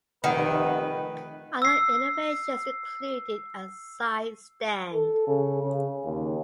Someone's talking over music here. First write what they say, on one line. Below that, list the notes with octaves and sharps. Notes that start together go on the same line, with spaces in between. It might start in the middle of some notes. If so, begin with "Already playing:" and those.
Other innovations included a side stand.
F1 D#3 B4 D5 F#5 A#5
E6 C7
A4
C#3
C#3
D#2